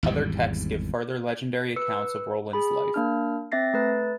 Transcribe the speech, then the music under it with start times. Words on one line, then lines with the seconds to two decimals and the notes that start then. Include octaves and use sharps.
Other texts give further legendary accounts of Roland's life.
0.03 G#1 E2 G#2 G3
1.76 B4 E6 C#7
2.53 G#4 B5
2.94 A#3 D4 F6
3.52 C4 E5 A6 A#6 C7
3.74 A3 B4 A6